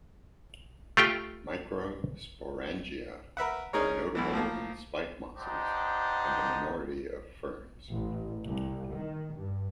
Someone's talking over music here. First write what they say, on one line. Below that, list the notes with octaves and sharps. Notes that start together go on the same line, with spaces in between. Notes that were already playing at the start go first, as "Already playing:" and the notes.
Microsporangia are notable in spikemosses, and a minority of ferns.
A3 F4 G4 G5
A#4 B4 E5 F#5
C#4 D#4 G#4 A#4 C#5
B1 B2 E3
A2 F3 A#3
B3 D4 D#4 G4 C5
A1
C2
D#3
G2